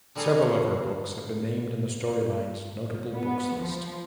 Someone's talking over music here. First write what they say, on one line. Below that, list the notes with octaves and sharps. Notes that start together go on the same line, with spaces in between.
Several of her books have been named in the Storylines Notable Books List.
D3 G3 C4 G#4 A4 A#5
B3
F3